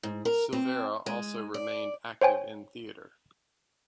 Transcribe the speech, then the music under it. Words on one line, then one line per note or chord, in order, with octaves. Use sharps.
Silvera also remained active in theatre.
G#2
A#4
C4
G#3
D5
C5 C#5 G5 G#5